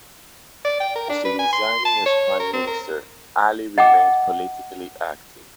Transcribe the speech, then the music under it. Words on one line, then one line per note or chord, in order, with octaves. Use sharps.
After resigning as prime minister, Ali remained politically active.
D5
G5
A#4
D4
B4
G#5
C6
A5
C#5
A#4
C4
A#4
D#5 F#5 G5 D6